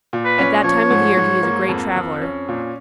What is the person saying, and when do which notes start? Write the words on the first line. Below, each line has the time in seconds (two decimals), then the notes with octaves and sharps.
At that time of year he is a great traveler.
0.13 A#2
0.25 B4
0.39 C#4
0.64 F3 C#5
0.91 G#2
1.17 G#2
1.43 A#3
1.69 F2
1.96 F2
2.22 C#4
2.49 A#2